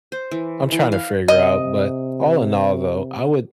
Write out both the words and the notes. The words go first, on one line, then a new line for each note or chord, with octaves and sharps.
I'm trying to figure out. But all in all, though, I would
C5
E3
E3
F5
C3 D#5